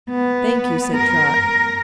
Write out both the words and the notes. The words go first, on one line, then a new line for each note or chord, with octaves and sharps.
"Thank you," said Trot.
B3
A#4